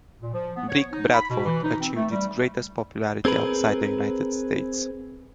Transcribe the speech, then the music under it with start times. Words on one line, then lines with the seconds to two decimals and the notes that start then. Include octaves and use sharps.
"Brick Bradford" achieved its greatest popularity outside the United States.
0.21 A#2
0.34 F3
0.56 B3
0.69 C#5
0.92 D#4
1.13 B5
1.30 B2
1.45 E3
1.63 D#4
1.80 C4
1.95 A3
2.11 G3
3.25 C4 G#4 A#4 B4